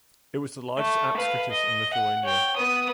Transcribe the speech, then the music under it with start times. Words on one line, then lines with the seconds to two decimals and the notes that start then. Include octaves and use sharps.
It was the largest apskritis in Lithuania.
0.78 A3
1.17 B4 F5
1.51 D#5
1.93 F#5
2.23 C#5 G5
2.56 B3 D#6